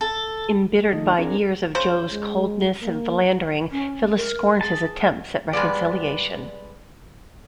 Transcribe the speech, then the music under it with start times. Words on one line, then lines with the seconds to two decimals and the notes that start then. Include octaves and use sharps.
Embittered by years of Joe's coldness and philandering, Phyllis scorns his attempt at reconciliation.
0.01 A4
0.93 D#3 F3 A3 D#4
1.18 C4 D4 G#4 A#4
1.75 C#3 C5
2.12 G#3
2.82 A#3
3.71 C#4
4.16 A#4
4.61 G#4 A5
5.53 G3 G#3 B3 D5